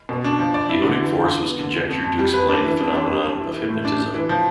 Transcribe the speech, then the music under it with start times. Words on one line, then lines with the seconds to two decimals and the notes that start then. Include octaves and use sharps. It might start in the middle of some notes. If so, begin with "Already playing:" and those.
The Odic force was conjectured to explain the phenomenon of hypnotism.
0.09 B2
0.24 D4
0.39 F3
0.54 D5
0.69 E4
0.83 D3
1.00 E3
1.14 F4
1.29 D4
1.44 B3
1.59 D3
1.74 D3
1.89 F2
2.04 F2
2.19 G3
2.34 B4
2.49 D4
2.64 E3
2.79 F2
2.94 D4
3.09 G3
3.25 G3
3.40 E3
3.54 E3
3.69 A2
3.85 D4
3.99 D4
4.14 E3
4.29 F3